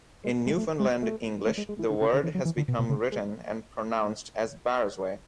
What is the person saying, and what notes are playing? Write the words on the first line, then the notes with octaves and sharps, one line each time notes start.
In Newfoundland English, the word has become written and pronounced as barrasway.
G#3
G#3
A3
G#3
A3
A3
G#3
G#3
E3
D3
C#3
D3
E3
F#3
E3
D3
B2
B2
C#3
G#3